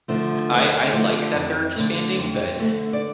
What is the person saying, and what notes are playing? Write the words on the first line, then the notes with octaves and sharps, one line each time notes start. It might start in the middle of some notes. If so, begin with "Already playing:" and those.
I I like that they're expanding, but
D3 F3 A3
D2
D3 F3 A3
F2
D3 A3
F2
D3 A3
D5